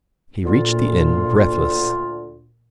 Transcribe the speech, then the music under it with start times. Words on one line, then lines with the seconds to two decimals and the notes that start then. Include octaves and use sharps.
He reached the inn, breathless.
0.45 D2 A#2 F4